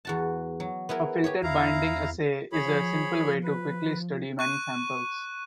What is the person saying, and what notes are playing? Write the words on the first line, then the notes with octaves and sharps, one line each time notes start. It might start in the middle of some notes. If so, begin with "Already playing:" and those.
A filter binding assay is a simple way to quickly study many samples.
E2 F#4 A5
F#3
B3 E4 G#4 A#4
G4 G#4 C#5
E2 E4 F5 A#5
F3 G#4 C#5 B5
B4
C#6 F#6 D#7